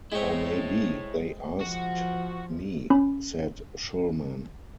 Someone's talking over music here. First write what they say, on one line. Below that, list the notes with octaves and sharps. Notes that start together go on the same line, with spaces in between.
Or maybe they asked me, said Shulman.
G#3 C4 E4 C#5
F3 F#4
C#4 B5